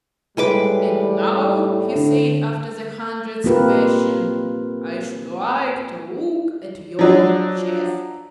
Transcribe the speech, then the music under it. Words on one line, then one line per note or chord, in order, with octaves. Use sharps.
"And now," he said, after the hundredth question, "I should like to look at your chest."
A2 G3 G#3 B4 D6
D3
A#3 C4 F4 G4 A#4 B4
F3 F#3 D4